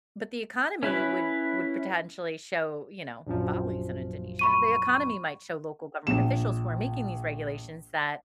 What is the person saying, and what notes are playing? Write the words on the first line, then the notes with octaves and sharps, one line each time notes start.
but the economy would would potentially show, you know Bali's in Indonesia. The economy might show local government officials who are making these regulations that
C#4 E4 B4
A#1 F#2 F3
B5 C#6 D#7
A#1 E7